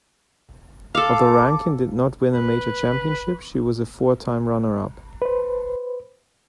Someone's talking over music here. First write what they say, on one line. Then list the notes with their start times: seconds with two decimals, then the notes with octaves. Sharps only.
Although Rankin did not win a major championship, she was a four-time runner-up.
0.95 A4 F5 D6
2.34 B4
5.22 B4 C5